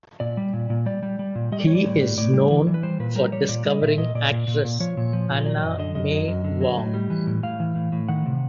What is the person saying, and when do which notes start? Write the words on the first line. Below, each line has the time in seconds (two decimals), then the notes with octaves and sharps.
He is known for discovering actress Anna May Wong.
0.20 A#2 D5
0.37 G3
0.53 A#2
0.70 A#2
0.86 G3 D5
1.03 G3
1.19 G3
1.35 A#2
1.52 G3 D#5
1.60 D5
1.67 G3 C#5
1.75 D5
1.85 A2
2.01 A2
2.17 A2 D5
2.34 G3
2.51 E3
2.67 E3
2.74 B4
2.83 G3 C5
3.00 A#2 B4
3.16 G3 A#4
3.32 G3 C#5
3.49 A#2 D5
3.65 G3 D#5
3.82 A#2 E5
3.98 A#2 D#5
4.15 A#2 D5
4.31 A#2
4.48 A#2
4.64 A#2
4.80 F3 C#5
4.97 A#2
5.13 F3
5.30 A#2
5.46 F#3 D5
5.63 F#2 D#5
5.79 D3 D#5
5.95 F#2 D#5
6.11 F#3
6.28 F#2
6.44 D3
6.61 F#3
6.78 A2
6.94 G3
7.10 E3
7.27 A2
7.43 A2 F5
7.60 E3
7.76 A2
7.92 A2
8.08 D#3 F#5
8.26 C3